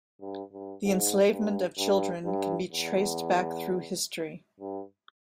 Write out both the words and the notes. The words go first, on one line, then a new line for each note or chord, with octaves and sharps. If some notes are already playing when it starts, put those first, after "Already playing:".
The enslavement of children can be traced back through history.
G2
G2
G#2
G2
G2
G2
E2
G2